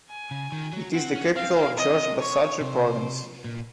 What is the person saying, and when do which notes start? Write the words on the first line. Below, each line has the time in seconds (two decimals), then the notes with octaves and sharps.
It is the capital of Jorge Basadre Province.
0.10 G#5
0.31 C#3
0.52 D#3
0.73 F#3
0.93 C4 F#5
1.15 C#4
1.35 C4 F5
1.56 A#3
1.77 C3 D#5
2.19 C#5
2.61 C3 C5
3.44 A#2